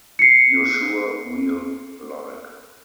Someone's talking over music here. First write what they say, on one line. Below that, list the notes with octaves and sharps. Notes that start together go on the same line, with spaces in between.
You’re sure we’ll like.
C7 C#7